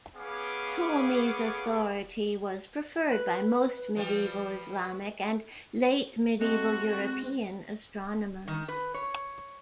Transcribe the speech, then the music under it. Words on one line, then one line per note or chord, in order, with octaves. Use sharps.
Ptolemy's authority was preferred by most medieval Islamic and late medieval European astronomers.
B3 C#4 G#4 F5 D6
B4
F3 G3
G#3 A3 C4 F#4
D#3
B4
C#5